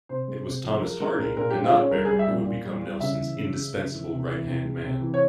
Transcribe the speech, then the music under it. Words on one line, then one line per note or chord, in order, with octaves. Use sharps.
It was Thomas Hardy and not Berry who would become Nelson's indispensable right-hand man.
C3 C5
G#3
C3
F3
G#3 A#4
G#3 A#4
A#2 A#4
A#2 A#4
G4
G#3
F4
G#3 C#4
G3 A#4
G3 G#4
E5
A#2
A#2
G3
G3
C#3 E5
E3
C#3
G#3
C#3
E3
C3
E3
C3
G#3
C3
E3
C#5